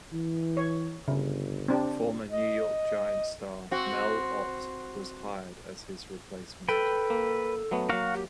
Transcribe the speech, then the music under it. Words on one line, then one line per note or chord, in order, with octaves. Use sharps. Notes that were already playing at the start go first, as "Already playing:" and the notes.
Former New York Giants star Mel Ott was hired as his replacement.
E3
C#5
G1 C#3
C4 D4 G4
D#5
C4 F#4
A4 B4 G5
A#3
F#3 A3 B3
F#3 A#3 F#4 F5
G4